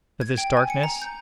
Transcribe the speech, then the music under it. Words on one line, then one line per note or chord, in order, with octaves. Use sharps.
"But this darkness?"
G#6
G5
G#5
C#7
A#5
G6